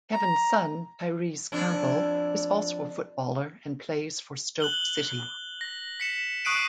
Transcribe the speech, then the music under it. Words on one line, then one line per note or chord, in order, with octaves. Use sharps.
Kevin's son, Tyrese Campbell, is also a footballer and plays for Stoke City.
A#5
F2 D4
F#6 F#7 G7
A#6
B6 C#7 E7
C#6 D#6 F#6 C7 D7 D#7